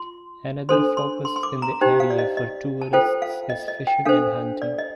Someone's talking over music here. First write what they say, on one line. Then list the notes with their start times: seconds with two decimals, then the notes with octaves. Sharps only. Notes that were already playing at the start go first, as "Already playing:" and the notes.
Another focus in the area for tourists is fishing and hunting.
Already playing: F4 C6
0.69 D4 A4 C5 C6
0.97 C6
1.25 C6
1.36 C6
1.43 D6
1.62 A#5
1.81 D#4 G4 C5 G5
2.00 F5
2.10 D5
2.19 D#5
2.37 D#5
2.82 A5
2.93 F4 A4 C5 G5
3.22 F5
3.50 D#5
3.68 D#5
3.87 G5
4.05 D4 A4 C5 F5
4.62 D5
4.78 D#5